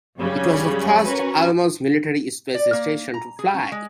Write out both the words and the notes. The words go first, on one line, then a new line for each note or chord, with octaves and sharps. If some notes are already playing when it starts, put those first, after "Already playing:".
It was the first Almaz military space station to fly.
F#2 C#3 G3 C#4 B5
C#4 F#4 A#4 B4 C#5
D5
A#3
A#5
G#4
C#4
G#3